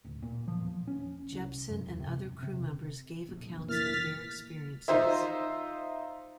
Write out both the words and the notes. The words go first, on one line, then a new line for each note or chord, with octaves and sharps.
Jeppson and other crew members gave accounts of their experiences.
D1
A#2
F3
E1
C#4
C2
F#2
D#1
C3
E1
C3
F1 A#1
E3 A#3 F6 A6 B6
D#4 F4 C5 E5